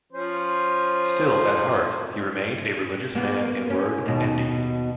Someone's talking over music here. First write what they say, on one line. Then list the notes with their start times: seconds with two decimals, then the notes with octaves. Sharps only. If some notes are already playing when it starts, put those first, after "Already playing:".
Still, at heart, he remained a religious man in word and deed.
0.12 F3 C#4 C5
3.15 A#3 B3
3.70 C#4
4.06 D#2 B2